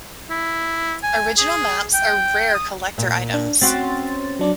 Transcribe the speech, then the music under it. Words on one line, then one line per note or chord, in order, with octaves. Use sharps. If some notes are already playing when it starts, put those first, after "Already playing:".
Original maps are rare collector items.
E4
G#5
G#4
G5
D#6
A#2
D4
C4 C#4 F#4 C6 A6
F#3 D4 D5